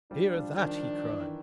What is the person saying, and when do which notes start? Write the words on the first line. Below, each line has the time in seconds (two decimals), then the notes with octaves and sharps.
"Hear that!" he cried.
0.11 F3 G3 D4
0.34 F3 G3
0.57 D#3 F3 D4
1.05 E3
1.20 D#3